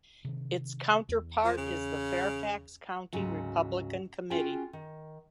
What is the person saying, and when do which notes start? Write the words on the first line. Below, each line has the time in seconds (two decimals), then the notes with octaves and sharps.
Its counterpart is the Fairfax County Republican Committee.
0.25 C3 D#3
1.09 E2
1.44 F3
1.57 C#3
3.13 D2 G#2 C#3 F#3 F#5
4.30 C#4 F4 F#4 G#4 G5 G#5
4.73 D#3